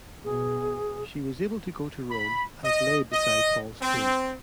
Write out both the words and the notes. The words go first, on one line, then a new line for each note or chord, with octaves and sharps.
She was able to go to Rome and lay beside Paul's tomb.
B2 G#4
B5
D#5
D#5
C4